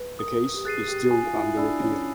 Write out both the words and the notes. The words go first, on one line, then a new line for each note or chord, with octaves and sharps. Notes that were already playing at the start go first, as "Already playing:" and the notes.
The case is still under appeal.
Already playing: B4
A#4 D#6
G4
G#4 F#6 A6 C7 D#7
G4
F#4 G#5
F4
E4
D4 B5 E6
C#4